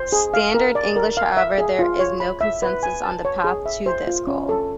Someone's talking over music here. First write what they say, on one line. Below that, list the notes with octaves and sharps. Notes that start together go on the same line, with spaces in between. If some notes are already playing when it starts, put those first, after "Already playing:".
Standard English; however, there is no consensus on the path to this goal.
Already playing: C5
G#4
F5
A#4
D5
A#4
F5
E5
G#4
F4
C#5
B5
E5
B4
G#5
A5
C#5
G#4
E5
C5
F4
C#4
A4